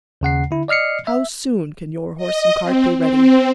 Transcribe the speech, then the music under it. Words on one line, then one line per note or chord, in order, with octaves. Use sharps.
"How soon can your horse and cart be ready?"
D#2 C#3 F#5 C7
D3 E4
D5 D#5 F6 C7 C#7
E5
D#5
C4
C4